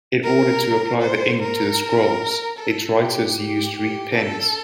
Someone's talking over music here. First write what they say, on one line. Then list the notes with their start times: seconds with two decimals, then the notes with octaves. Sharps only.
In order to apply the ink to the scrolls, its writers used reed pens.
0.23 A#4
1.02 C5
1.42 A#4
2.58 A4
2.98 G4
3.36 G4
3.76 G4
4.14 A4